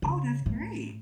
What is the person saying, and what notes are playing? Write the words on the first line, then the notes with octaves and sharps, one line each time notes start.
Oh, that's great.
C#3
A2